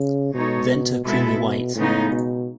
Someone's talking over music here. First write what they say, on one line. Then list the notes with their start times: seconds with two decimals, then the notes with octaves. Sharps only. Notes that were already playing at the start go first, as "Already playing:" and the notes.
Venter creamy white.
Already playing: C#3
0.34 B2 G#3 D#4 A4 C#5
1.05 B2 G#3 B3 E4 A4 E5
1.76 A2 C#3 G#3 B3 D#4
2.12 B2